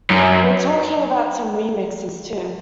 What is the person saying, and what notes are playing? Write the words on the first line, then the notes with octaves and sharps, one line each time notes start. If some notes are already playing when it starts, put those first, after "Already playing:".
We're talking about some re-mixes too.
F#2